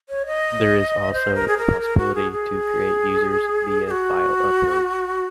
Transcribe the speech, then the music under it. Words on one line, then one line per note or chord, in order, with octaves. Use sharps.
There is also the possibility to create users via file upload.
C#5
D#5
C5
A#4
G#4
A#4
A#4
F#4
G#4
G#4
G#4
F#4